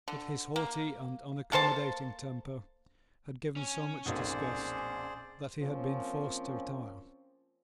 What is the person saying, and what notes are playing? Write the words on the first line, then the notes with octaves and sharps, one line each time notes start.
But his haughty and unaccommodating temper had given so much disgust that he had been forced to retire.
D3
A#3
A#3 A4 C5 A5
C#4
B1 F2 A#2 G#4 C5 D5
F3 A#3 C4 C#4